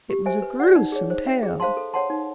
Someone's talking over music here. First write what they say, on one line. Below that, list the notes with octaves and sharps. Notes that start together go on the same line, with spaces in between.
It was a gruesome tale!
G4
C5 E5 G#5
B4
D5 F#5
D#4
G#4 C#5
C5
E5 G5
G#4
C5 F5 A5 C6
A4
C#5 F#5 A5 C6
D#4